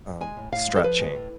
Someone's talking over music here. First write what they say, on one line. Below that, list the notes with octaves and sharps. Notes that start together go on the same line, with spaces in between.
um, stretching.
G#3 G#5
A2
A2 F5
G#3
A4
F3 B4
G#3
A2